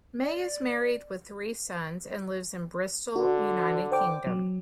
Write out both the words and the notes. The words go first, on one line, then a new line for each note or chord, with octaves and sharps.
May is married with three sons and lives in Bristol, United Kingdom.
D5
D3 F#4
C5 G5 D6
F#3